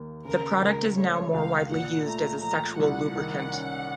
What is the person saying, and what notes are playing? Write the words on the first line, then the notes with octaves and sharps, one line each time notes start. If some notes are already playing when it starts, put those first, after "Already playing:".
The product is now more widely used as a sexual lubricant.
Already playing: D#2 A#3
C#3 A#4
C#2 A#4
A3 C#5
C#2 F5
A#2 F#5
A3 A#5
F3 A#5
C2 F#5
D#3
C#4